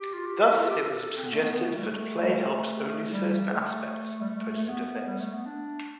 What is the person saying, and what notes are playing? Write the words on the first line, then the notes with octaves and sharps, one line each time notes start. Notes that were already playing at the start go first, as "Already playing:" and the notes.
Thus, it was suggested that play helps develop only certain aspects of predator defence.
G4
F4
G4
B4
E4
F4
G4
A4
C4
B3
A3
B3
B3
A3
G3
A3
G3
A3
G3
A3
G3
A3
A3
B3
G3
A3
B3
D4